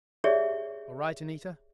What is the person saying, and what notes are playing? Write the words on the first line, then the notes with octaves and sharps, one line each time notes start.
"All right, Anita?"
G4 G#4 C#5 D5 E5